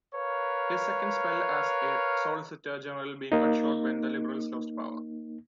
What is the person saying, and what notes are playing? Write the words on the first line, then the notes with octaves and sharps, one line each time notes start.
His second spell as Solicitor General being cut short when the Liberals lost power.
A#4 B4 C#5 F5
A#3 D#4